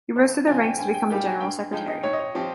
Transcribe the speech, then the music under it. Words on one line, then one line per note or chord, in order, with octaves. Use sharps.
He rose through the ranks to become the General Secretary.
F2 C5
C#3 F3 C4 F4 G#5
G5
G2 G#5
G5
G3 A#3 D#4 G4 G5
G#5
G2 G5
F3 G#3 D#4 G5
D#5
G#1 C#5
D#5
C#5
F3 C4 G4 C5